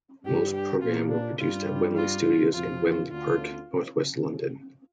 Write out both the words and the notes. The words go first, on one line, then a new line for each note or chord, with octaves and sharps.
Most programmes were produced at Wembley Studios in Wembley Park, north-west London.
G2 G3 G4
G4
A#2 A#3 F4
D4
G2 G3 F4
F4
F2 F3 F4
D2 D3 F4